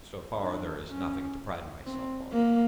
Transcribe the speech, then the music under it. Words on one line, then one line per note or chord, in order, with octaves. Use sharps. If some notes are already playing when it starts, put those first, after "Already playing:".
So far there is nothing to pride myself on.
D4
C#4
C4
A#3